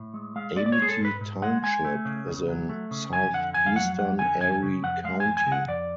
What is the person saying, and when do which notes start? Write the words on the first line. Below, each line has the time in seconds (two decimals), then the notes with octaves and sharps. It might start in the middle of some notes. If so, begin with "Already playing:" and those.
Amity Township is in southeastern Erie County.
Already playing: A2
0.14 G#3
0.36 G#3 F5
0.56 G#3 D5
0.66 D5
0.72 C#5
0.78 G#3 G#4
0.89 A4
1.00 G#2
1.05 B4
1.21 G#2
1.42 G#3 F#5
1.63 G#3 G#5
1.85 A3
2.05 C#3
2.26 C#2
2.48 F#3
2.69 A3
2.91 C#3
3.12 F2 G#5
3.33 D3 F#5
3.54 F2 G#5
3.66 F5
3.76 F#3 F#5
3.98 F2 F#5
4.19 D3 G#5
4.41 F2 G#5
4.62 C#3
4.83 F2 F#5
5.04 G#3 F5
5.20 G#5
5.26 F2
5.37 G#5
5.46 C#3
5.52 F#5
5.68 F2 D5